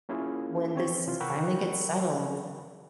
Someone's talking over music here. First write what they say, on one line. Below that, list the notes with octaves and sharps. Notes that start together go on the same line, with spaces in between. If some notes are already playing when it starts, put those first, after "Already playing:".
when this finally gets settled,
A#3 C#4 E4 F4 G#4 A#4
C4 C#5
C3 E3 F4
A#4 F#5 G5 B5 C#6 E6